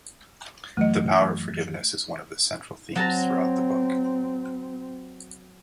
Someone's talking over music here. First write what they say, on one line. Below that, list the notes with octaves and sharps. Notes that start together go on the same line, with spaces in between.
The power of forgiveness is one of the central themes throughout the book.
F#2 E3 F#3 A3 D#5
F#3 C4 A5 A#5